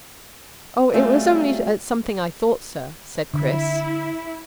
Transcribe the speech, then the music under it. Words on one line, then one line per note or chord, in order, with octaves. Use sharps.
"Oh, it was only at something I thought, sir," said Chris.
F#3 G3 A3 C4 F4 G#4
D3 E4